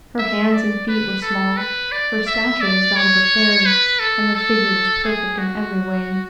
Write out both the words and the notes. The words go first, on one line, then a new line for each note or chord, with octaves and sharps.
Her hands and feet were small, her stature was that of a fairy, and her figure was perfect in every way.
E5
D5
B4
A4
B4
D5
E5
D5
C#5
B4
A4
A4
G#4
F#4